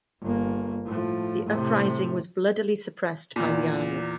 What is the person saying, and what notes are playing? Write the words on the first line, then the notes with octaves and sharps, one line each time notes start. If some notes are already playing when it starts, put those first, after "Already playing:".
The uprising was bloodily suppressed by the army.
G1 A#3
A2 F3
A2 C3
E2 A#2